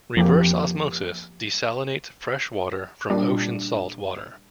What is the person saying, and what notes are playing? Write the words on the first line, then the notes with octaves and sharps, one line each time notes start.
Reverse osmosis desalinates fresh water from ocean salt water.
F2 F3 A#3 G4
A#2 G3 D4